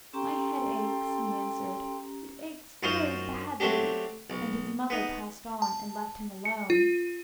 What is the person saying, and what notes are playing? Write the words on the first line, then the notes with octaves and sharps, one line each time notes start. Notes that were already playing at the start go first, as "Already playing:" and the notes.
'My head aches,' he answered; 'it aches very badly.' And his mother passed on, and left him alone.
C#4 G4 A4 G5 A#5 C6
F#2 F#3 D#4 F4 C5
F#3 A3 C4 D4 G4
B1
B3 D#4
A5
C#7
F4